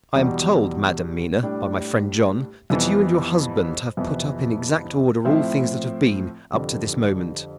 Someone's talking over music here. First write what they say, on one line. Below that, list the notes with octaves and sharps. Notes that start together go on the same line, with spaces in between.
"I am told, Madam Mina, by my friend John that you and your husband have put up in exact order all things that have been, up to this moment."
E2 B2 G3
A2 G3 D4
F2 E3 G3 B3
F2 C3 E3 B3 E4
A2 F3 C4 E4
F2 D3 G3